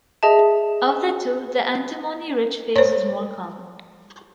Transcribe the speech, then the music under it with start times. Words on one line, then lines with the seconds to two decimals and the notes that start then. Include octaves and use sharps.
Of the two, the antimony rich phase is more common.
0.23 G#4 D#5 E5 A5
2.76 C5 C#5